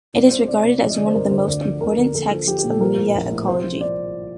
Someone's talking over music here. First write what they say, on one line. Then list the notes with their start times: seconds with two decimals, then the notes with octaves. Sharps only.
It is regarded as one of the most important texts of media ecology.
0.14 C2 D5
0.31 C3 C5
0.47 C3 D5
0.64 C3
0.81 F3 D5
0.89 D#5
0.98 D3 D5
1.06 C5
1.14 G2 A#4
1.31 D3 C5
1.48 D2 D5
1.64 F3
1.81 D2 A#4
1.97 D3
2.14 A#1 A4
2.31 F3
2.47 F3 G4
2.58 G4
2.64 A#2
2.70 A4
2.81 F3 A#4
2.97 A2
3.14 A#1
3.31 A2
3.47 C2 C5
3.64 F3
3.81 D5